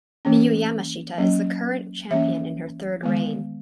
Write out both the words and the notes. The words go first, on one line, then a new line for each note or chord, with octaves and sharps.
Miyu Yamashita is the current champion in her third reign.
E3 A#3 C#4
F#3 A#3 C#4
E3 A#3 C#4 E5
D#3 G#3 B3